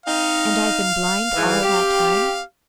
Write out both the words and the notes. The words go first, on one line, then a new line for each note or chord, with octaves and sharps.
"And I've been blind all that time?"
C4 D#4 F5
G#2 E3
C4 G4